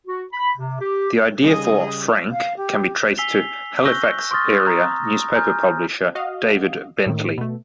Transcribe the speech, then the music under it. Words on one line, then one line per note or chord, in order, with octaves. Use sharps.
The idea for "Frank" can be traced to Halifax-area newspaper publisher David Bentley.
F#4
B5
C3
G4
C#3 G3 G#4 D#5
F5
G4
G#5 E6 B6 C7 F7 G7
C#6 E6 F#6 G6 A#6 G7
C6 C#6 D#6 F6 A6 A#6
A#5 D#6
D#6 A#6
G#5 A#5 F6 G6
F#4 D#5 F5
A2 D#3
B2 A3